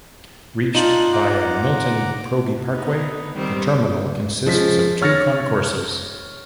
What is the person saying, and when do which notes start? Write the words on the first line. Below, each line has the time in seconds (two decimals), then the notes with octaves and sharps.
Reached via Milton Proby Parkway, the terminal consists of two concourses.
0.75 D4 D#4 F4 F5
1.12 F#5 A#5 D6
2.71 B3 D#4
3.34 D#3 G3 C4
4.46 F3 G#3 C#4 B6
5.02 C#5 F6 A6 A#6 C#7